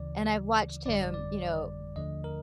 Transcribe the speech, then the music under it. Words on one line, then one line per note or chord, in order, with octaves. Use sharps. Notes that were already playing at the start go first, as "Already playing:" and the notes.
and I've watched him, you know,
Already playing: D2 C#3 E3 D5
G1 F2 D3 G3 D5
D5
D#2 D3 F3 A3 D#5
A#4